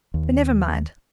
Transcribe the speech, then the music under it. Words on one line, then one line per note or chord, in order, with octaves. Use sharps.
But never mind.
D#2